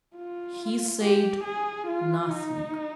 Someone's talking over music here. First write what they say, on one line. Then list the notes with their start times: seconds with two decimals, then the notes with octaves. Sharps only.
He said nothing.
0.16 F4
1.01 G4
1.44 G#4
1.87 F4
2.30 D#4